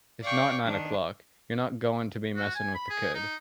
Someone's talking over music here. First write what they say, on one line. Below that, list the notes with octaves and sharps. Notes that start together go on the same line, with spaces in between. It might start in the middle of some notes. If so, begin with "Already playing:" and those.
It's not nine o'clock... You're not goin' to be messin' with the kid'.
D5 F5 G5 C#6 D6
D#3 D4
F#4
G#5
B5
G#4
D#4